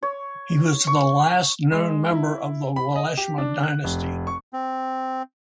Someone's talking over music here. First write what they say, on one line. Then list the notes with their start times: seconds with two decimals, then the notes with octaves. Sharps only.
He was the last known member of the Walashma dynasty.
0.03 C#5
0.87 C#6
1.72 G#3
2.10 E4
2.76 B5
2.96 D#5
3.17 G4
3.38 D4
3.63 F#6
3.84 F1
4.27 C#6
4.53 C4